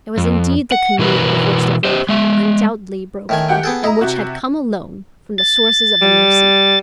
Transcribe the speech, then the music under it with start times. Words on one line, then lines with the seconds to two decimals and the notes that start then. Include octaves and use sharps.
It was indeed the canoe, of which the rope had undoubtedly broken, and which had come alone from the sources of the Mercy.
0.18 F2
0.72 F#5
0.99 B2 E3 F#4 A#4 B4
1.85 G4 C5 D#5
2.09 G#3 E5
3.29 A2 D#3 G#5
3.48 G4 F#5 G5
3.64 B3 G#4 A4
3.84 E4 D#5 A#5
4.01 C3 F#4
5.38 A6
6.02 G3